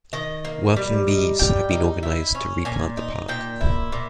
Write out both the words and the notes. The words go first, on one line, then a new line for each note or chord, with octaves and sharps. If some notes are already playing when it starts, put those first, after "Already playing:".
Working bees have been organised to replant the park.
D#3 D#5
A#3
G3
D#4
G3 G5
D#4
E4
C#4
A#2 G#5
D#4
A#2 G5
E4
A#2